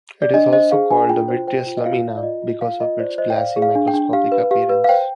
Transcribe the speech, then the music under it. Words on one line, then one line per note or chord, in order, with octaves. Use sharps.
It is also called the "vitreous lamina", because of its glassy microscopic appearance.
D5
D4 D#5
C5 D#5
G#4 F5
D4 G#5
F4 G5
C5
C5 G5
F4
D#5
F4 F5
F4
D5
F4 D#5
F4
F4 F5
F4 D#5
C5 D5
C5 D#5
G5
D5 F5
G#4
F5
D4
G5
D4
G4 F5
B4
G4 F5
B4
F5
C5 G5